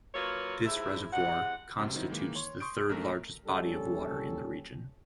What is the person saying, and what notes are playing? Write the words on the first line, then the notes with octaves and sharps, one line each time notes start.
This reservoir constitutes the third largest body of water in the region.
F#3 A#3 F4 B4 C#5
G#2 C3 E4 E5
E2 C3 G#3 F#5
C#2 F#2 C3
D#3 F#3 C4 D#4 E4
D#3 E3 G#3 A#3
C#5 C6
C6 C#6 D#6 G6 D7
A#1 A3 A#4 A#6
A#1 G3 C#4 A4